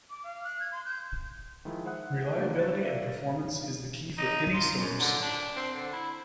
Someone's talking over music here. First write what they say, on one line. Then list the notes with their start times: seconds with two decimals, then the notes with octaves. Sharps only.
Reliability and performance is the key for any storage server.
0.10 D6
0.24 F5
0.44 F#6
0.60 G#6
0.72 C6
0.85 G6
1.65 D#3 F3 G#3 E4
1.86 C5 E5 F#5 D#6 F#6
2.35 F3 F#3 A3 A#3 D4
2.55 E4 C#5 A6
2.81 A#4 D5 E5 F5
4.18 D#4
4.53 F4
4.79 F#2
5.00 D3
5.22 D4
5.56 C4
5.74 D3
5.93 E4